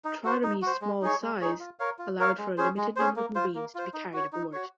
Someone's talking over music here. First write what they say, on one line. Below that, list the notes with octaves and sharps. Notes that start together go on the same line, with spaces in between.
Triremes' small size allowed for a limited number of marines to be carried aboard.
D#4
F#4 C5
D#4
F#4 C5
G#3
D#4 G#4 C#5
G#3
D#4 G#4 C#5
F4
A#4 C#5 F5
F4
A#4 C#5 F5
G#3
C#4 G#4 C5
G#3
C#4 G#4 C5
A#3
F4 C5
A#3
F4 C5
D#4
F#4 C#5
D#4
F#4 C#5